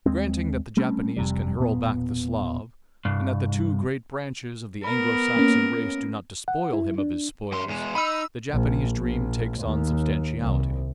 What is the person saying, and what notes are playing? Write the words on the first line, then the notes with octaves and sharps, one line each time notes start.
Granting that the Japanese can hurl back the Slav and that the two great branches of the Anglo-Saxon race do not despoil him of his spoils, the Japanese dream takes on substantiality.
D#2 G#3 C4
G3 A3 C4 C#4
F1 F2 C3 G3
E1 A#2 B3
C2 G2
B3 A#4 B5
A#3 C#4
F#5
E4
D4
F#2 C6
E2 G#3
D#4 B5 E6
A#1
A#1
D#2
C2